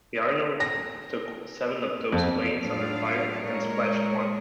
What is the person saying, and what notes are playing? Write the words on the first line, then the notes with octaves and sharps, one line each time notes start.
"Yarnall" took seven of those planes under fire and splashed one.
A#6
F2
A2 F#3 D4 F4 F5
A#2 G#3 A#4 C#5